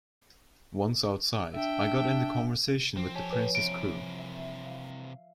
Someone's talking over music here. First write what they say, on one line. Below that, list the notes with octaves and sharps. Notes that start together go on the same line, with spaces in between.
Once outside I got into conversation with the Prince's crew.
D4 E5 G5
F3 C4
G4 A4 C#5 G#5 A5
B4
C3 E3 D7
E5
F5